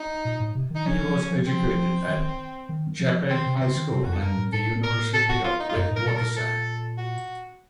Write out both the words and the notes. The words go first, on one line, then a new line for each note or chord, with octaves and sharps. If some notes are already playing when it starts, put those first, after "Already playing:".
He was educated at Jeppe High School and the University of the Witwatersrand.
Already playing: D#4
A#2
A2
C3
D#3
D#4
F3 C#4
F3
F3
F3 C4
F3
D#3
D#3
F3
D#3 C4
C3
C#4
C#3 C4
D#3
C3 C4
F2 F#4
A4
F#2 A#4
A2
A2 A4
A#4
A4
F#4
F4
D#4
F4
F#2 D#4
A2
A#4
A#2 A4
A#4
A#2
A4
F#4